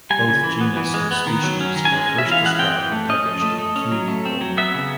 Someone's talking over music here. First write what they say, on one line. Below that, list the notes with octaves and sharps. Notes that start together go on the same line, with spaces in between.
Both genus and species were first described and published in Kew Bull.
G3 G#5
C#3
E3
B3
E3
G#3
B3
D#3
F#3
C#4
D#3
G#5
G#3
C#4
E5
E3
F5
G#3 F#5
C4 G5
E3
A3
C#4 D#5
F3
A3
A3
C#4
F#3
A3
C4
F#3
B3 E5
C#3